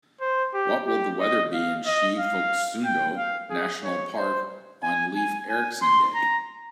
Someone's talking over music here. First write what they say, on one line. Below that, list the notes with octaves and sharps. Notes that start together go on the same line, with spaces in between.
What will the weather be in Sche-Phoksundo-Nationalpark on leif erikson day?
C5
G4
G4
D#5
F5
D#5
F5
G5
F5
G#4
C#5
C5
G#5
G#5
G#5
C6
A#5